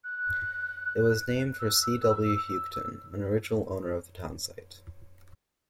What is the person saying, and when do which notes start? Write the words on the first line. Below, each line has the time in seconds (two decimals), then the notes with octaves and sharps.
It was named for C. W. Houghton, an original owner of the town site.
0.04 F#6
1.52 F#6
1.59 E6